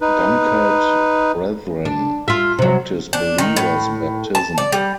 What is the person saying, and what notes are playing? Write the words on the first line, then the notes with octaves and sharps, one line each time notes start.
Dunkard Brethren practice believer's baptism.
D#4 B4
D4
F4 E5
C3 F#3
D4
D#3
A2
A5
D5
G3